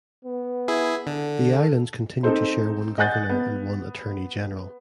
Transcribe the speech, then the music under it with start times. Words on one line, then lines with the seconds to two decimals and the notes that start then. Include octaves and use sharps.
The islands continued to share one Governor and one Attorney-General.
0.25 B3
0.68 E4 G#4
1.07 D3 A4
2.23 C4 D#4 A4 C5
2.98 D#5 F#5 G#5 F#6 G6 A6
3.29 B3